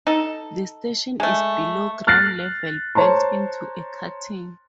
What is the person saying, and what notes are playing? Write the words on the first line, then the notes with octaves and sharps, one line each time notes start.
The station is below ground level built into a cutting.
D#4 A4
G#3 A3
F6 F#6 A6 A#6 C7
C5 C#5 A5 A#5 C6